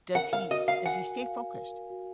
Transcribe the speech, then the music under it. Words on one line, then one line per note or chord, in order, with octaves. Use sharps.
does he does he stay focused?
A#4 F#5
F5
F#4 D#5
F5
F#5 G#5
F5
A#4
F#4